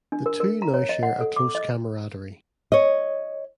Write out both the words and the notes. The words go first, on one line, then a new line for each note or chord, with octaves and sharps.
The two now share a close camaraderie.
D4
A#4
A#4
A#5
C#5
D#5
F#5
A4
D6
D#5
C#5 D#5